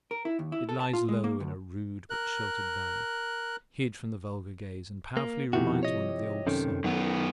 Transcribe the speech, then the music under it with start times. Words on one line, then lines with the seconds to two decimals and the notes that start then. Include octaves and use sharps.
It lies low in a rude, but sheltered valley, hid from the vulgar gaze, and powerfully reminds one of the old song.
0.11 A#4
0.25 E4
0.39 D#2
0.52 E4
0.69 A4
0.80 A5
0.93 F4
1.09 G#3
1.24 A#3
1.40 D2
2.10 A#4 F#6
5.17 A#3
5.53 F2 C3 D#3 F3 E4 F#4
5.83 C#5 D#5
6.47 F#2 C3 D#3 C#4 A4
6.84 F#2 D#3 B3